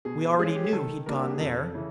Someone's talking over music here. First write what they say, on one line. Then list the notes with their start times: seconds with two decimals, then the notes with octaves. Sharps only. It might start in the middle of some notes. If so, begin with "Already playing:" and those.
"We already knew he'd gone there."
0.05 B2 G#4
0.39 G#3 C#4 G#4
0.55 G4
0.64 G#4
0.73 D#3 A4
1.06 G3 A#3 D4 A#4
1.19 F#4
1.27 G4
1.33 G#4
1.40 F2 A4
1.74 C#3 E3